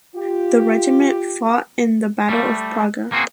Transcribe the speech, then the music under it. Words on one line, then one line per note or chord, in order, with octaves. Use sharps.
The regiment fought in the battle of Praga.
F4 G4
G3 A3
A#3 C4 F4 F#4 G#4